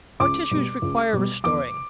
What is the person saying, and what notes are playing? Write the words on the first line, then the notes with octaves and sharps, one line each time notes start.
Our tissues require restoring.
C#2 D6
B2 G3
C#2
B2 G3
E2 D6